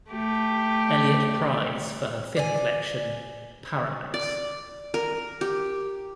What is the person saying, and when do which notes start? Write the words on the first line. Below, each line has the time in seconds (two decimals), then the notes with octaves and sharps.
Eliot Prize for her fifth collection "Parallax".
0.11 A3 G4
2.36 D5 G#5
4.14 D5
4.94 A#4
5.41 G4